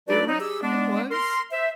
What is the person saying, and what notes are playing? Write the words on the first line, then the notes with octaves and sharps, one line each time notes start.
It rea it was
F#3 D4 D#4 F#4 B4 D5
F#3 D#4
G4 G#4 E6
G#3 B3 D4
A#4 C6
C5 E5